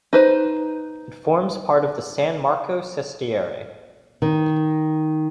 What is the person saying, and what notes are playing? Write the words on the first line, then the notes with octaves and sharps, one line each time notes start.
It forms part of the San Marco sestiere.
D#4 B4 C5
D#3